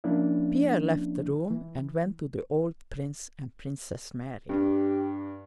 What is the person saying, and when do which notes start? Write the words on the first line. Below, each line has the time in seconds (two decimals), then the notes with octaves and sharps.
Pierre left the room and went to the old prince and Princess Mary.
0.04 F3 A#3 C#4 D4 E4
1.50 E3
4.49 G2 G4